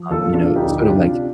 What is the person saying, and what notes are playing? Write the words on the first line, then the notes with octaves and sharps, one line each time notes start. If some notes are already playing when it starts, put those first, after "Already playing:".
um, you know, sort of like,
Already playing: F3
F4 A4
A#1
D4 F4
D2 D#4 G4
G4
C3 D4 F4